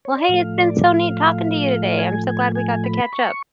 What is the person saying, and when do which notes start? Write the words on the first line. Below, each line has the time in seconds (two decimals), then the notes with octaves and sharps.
Well, hey, it's been so neat talking to you today. I'm so glad we got to catch up.
0.05 C#5
0.17 D5
0.29 A2 F3 A3 F5
0.58 D5
0.86 F5
1.99 G#5
2.28 G#5
2.55 G#5
2.84 B5
3.13 C#6